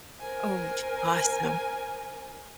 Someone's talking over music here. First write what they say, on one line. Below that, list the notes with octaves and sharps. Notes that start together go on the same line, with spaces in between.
Oh, awesome.
A#4 C5 G#5